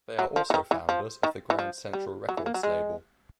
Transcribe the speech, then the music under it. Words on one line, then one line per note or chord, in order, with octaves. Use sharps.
They are also founders of the "Grand Central Records label".
F#3
F3
E3
D#3
E3
F3
D#3
E3
F3
G3
F#3
E3
A#3
F#3
G#3